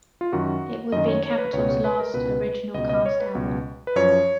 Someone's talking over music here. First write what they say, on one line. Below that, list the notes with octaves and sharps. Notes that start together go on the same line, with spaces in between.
It would be Capitol's last original cast album.
F4
F#2 D#3 F#4
F#2 D#3 D#5
C#5
C#5
B4
C#2 B2 C#5
C#5
B4
A#4
C#2 B2 B4
C#2 B2 D#5
D#5
C#5
B4
C#2 B2
B4
F#2 F3 C#5